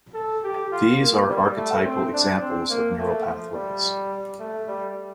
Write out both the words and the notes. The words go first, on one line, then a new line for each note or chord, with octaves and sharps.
These are archetypal examples of neural pathways.
A4
G4
F4
A#3
G3
A3
C4
D4
C4
A#3
A3
F3
G3
A3
G3